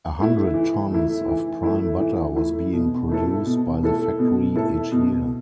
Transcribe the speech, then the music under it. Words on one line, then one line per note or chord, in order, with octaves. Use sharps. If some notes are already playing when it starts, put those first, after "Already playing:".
A hundred tons of prime butter was being produced by the factory each year.
A3 E4
E3
A3 E4
E3
A3 E4
E3
A3 E4
B2
A3 E4 A4
B2
A3 E4 A4
B2
A3 E4 A4
B2